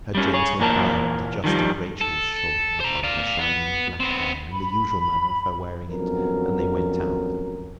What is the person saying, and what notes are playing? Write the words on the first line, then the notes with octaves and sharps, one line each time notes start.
Her gentle hand adjusted Rachael’s shawl upon her shining black hair in the usual manner of her wearing it, and they went out.
G3 C#4
G#4 C#5
A#2 E3 A#3 A#4 B4 A5
D#3 F3 G3
A4
C5 A#5
D5 F5
B3
B3 C4
B5
G#1 F2 F#3 B3 C#4 A#4